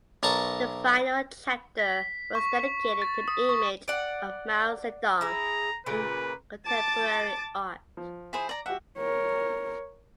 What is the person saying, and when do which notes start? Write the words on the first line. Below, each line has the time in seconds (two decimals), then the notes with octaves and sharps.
The final chapter was dedicated to the image of Mao Zedong in contemporary art.
0.23 B1 A#4 A5 A#5 C#6
1.79 B6
2.35 C#6
3.02 A6
3.28 D#6
3.49 C#6
3.88 D5 F#5
5.21 E4 G#4 A#5
5.86 A#2 C#3 A#3 B4
6.66 A5 D6 A6
7.97 F3
8.33 E4 G#4 C5
8.49 D5 A#5
8.66 F#4 G4 E5 F#5
8.98 A#4 C#5